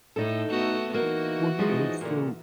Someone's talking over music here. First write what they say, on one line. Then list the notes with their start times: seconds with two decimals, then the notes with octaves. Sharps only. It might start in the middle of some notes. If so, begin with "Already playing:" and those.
well, you know, so
0.16 A2 D#4 A4
0.50 A3 B3 F#4
0.94 E3 A#3 D#4 F#4
1.59 F3 G#3 D#4
2.01 A#2 D3